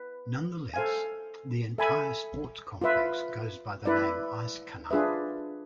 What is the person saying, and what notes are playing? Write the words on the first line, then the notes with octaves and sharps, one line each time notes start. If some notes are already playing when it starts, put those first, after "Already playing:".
Nonetheless, the entire sports complex goes by the name Eiskanal.
Already playing: B4
A4 C5 F5 G#5
A4 E5 G#5 B5
F4 B4 E5
E4 B4 D5
D4 F4 G#4 B4 E5